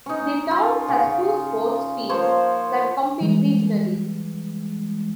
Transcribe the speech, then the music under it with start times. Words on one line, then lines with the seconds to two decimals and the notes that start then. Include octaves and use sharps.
The town has two sports teams that compete regionally.
0.06 C#4 D#4
0.51 F4
0.88 C#3
2.09 F3 A#3 C5 C#5
3.20 E3 G3 G#3